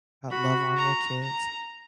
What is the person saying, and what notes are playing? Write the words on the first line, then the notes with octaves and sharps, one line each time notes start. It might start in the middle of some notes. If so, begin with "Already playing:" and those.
love on your kids.
F#4 B5
A#5
A#5